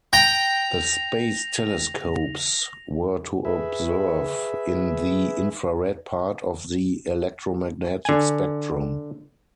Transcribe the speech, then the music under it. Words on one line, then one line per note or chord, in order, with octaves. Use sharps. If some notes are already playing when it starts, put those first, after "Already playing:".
The space telescopes were to observe in the infrared part of the electromagnetic spectrum.
G5 A#5 A#6 F7
G#4 B4 E5
D3 G#5